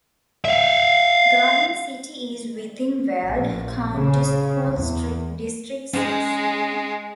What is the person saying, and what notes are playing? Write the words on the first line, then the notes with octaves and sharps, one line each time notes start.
Garden City is within Weld County School District Six.
E5 F5
A#1
C#3
E2
G#3 C#4 D#4 F#5